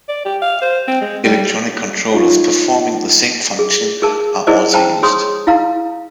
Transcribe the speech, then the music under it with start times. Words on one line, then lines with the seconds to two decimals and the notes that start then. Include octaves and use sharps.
Electronic controllers performing the same function are also used.
0.08 D5
0.25 G4
0.42 F5
0.62 C5
0.87 C4
1.01 G#3
1.24 G3
2.12 D#4 F4 C#5
3.59 G#4
4.02 G#4 A#4 A5
4.47 E4 G#4 A#4 C5 D5 D#5
4.74 C5 G5 A5 A#5
5.03 G#4 C#5 C6 D#6
5.47 E4 F5 A#5